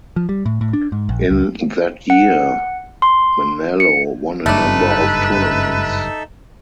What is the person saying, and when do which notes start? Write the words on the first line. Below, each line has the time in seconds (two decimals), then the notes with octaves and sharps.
In that year, Manalo won a number of tournaments.
0.16 F3
0.29 G3
0.46 A2
0.61 A2
0.73 D4
0.92 G#2
1.09 A#1
1.31 C#2
2.10 F#5
3.02 C6
3.80 C#7
4.46 F#1 G2 A3 D#4 A4 B4 D5 E5